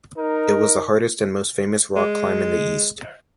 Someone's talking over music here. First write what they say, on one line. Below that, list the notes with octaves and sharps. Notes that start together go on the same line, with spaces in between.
It was the hardest and most famous rock climb in the East.
D#4 A#4
G#3